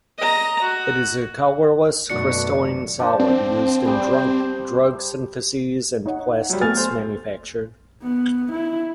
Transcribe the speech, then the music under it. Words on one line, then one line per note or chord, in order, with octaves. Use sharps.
It is a colorless crystalline solid used in drug syntheses and plastics manufacture.
D#5 A#5
F#4
F#2 B2 D#3 A3 D4 F#4 C#7
F3 D4
C4
G3 G#4 C5
C5
D#4 C#5 F#5
F#3 G3
A3 B3 A4 G#5 F6 A6
C5
B3
E4